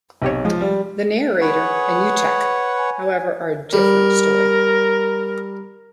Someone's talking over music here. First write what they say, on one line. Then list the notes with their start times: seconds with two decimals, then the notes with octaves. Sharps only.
The narrator and Utch, however, are a different story.
0.22 B1 C3 G4 C#5
0.45 F3 G#3
0.61 G3
1.41 G#4 B4 C#5 F#5
2.80 G#5
3.73 G3 A#4